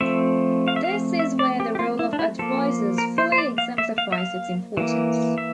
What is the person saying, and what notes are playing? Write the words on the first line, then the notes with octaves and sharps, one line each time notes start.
This is where the role of advisors fully exemplifies its importance.
F3 A3 C4 E5
F5
E5
F5
E5
D5
G4
G4
F4
E4
D4
E4
F3 A#3 A4
A#4
C5
C5
D5
F5
E5
F5
E5
F5
E3 A#3
E5